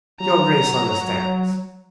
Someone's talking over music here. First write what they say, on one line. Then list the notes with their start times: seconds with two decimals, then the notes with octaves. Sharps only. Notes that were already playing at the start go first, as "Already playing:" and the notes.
"Your Grace understands."
0.20 F#3 A#5